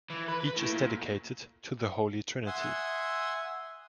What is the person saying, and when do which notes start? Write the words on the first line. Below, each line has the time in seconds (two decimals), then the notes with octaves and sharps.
Each is dedicated to the Holy Trinity.
0.10 E3
0.28 B4
0.41 B4
0.56 A2
0.72 A#2
2.47 E5 F#5 G#5 C6 D#6